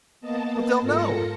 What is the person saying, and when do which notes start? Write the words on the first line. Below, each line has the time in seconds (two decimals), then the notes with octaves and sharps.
"But they'll know...."
0.21 A#3 B3 D#5 A5
0.81 G#2 F4 A4 A#4 A#6 C#7